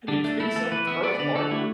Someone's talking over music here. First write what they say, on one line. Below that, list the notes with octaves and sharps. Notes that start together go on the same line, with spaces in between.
And he brings up Pearl Harbor,
D3 D4
A3 D4
A3 E4
E3 A4
E3 B4
B3 E5
B3 D5
D3 D5
D3 A4
A3 E4